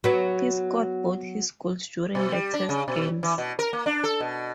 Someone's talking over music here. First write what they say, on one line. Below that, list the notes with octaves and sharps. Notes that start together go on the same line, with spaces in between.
He scored both his goals during the test games.
F#3 B3
B2
G3
D4
C#3
B2
E3
B2
A#4
A#3
D4
A4
B2